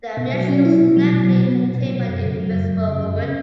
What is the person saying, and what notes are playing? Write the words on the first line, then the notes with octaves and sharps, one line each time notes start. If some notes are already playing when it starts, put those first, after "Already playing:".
The reaction was thankfully contained by the Invisible Woman.
B2
F#3
C#4
E4
B2
F#3
B2
F#3
B3
B2
B2
F#3
F#2
C#3
F#3
F#2
F#2
C#3
F#2
C#3